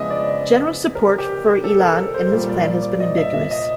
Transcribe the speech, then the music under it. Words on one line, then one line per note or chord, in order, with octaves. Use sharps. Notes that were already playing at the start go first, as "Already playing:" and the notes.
General public support for Elon and his plan has been ambiguous.
Already playing: C#3 F3 G#3 B3 D4 D#5 E5
D5
A#4
G4
A4
A#4
A4
C5
A#2 G3 A#3
D5
D5
D5
D#5
E5
E5
D#5